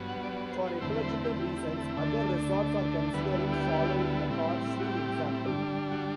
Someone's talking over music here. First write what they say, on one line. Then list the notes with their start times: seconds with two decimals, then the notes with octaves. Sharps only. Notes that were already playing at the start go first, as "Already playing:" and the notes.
For ecological reasons other resorts are considering following the car-free example.
Already playing: G2 F#3 B3
0.09 F#5
0.23 D5
0.37 D5
0.52 C5
0.66 C5
0.80 E2 D3 A3 C4 E4 C5
0.95 B4
1.03 C5
1.10 B4
1.24 G4
1.40 G4
1.58 G4
1.77 A4
1.97 D2 D3 A3 D4 A4
3.13 D2 D3 G3 B3 E4 B4
3.32 A4
3.53 G4
4.30 A2 G3 C4 E4
4.79 F#4
4.87 G4
5.46 G2 D3 G3 D4
5.91 F#4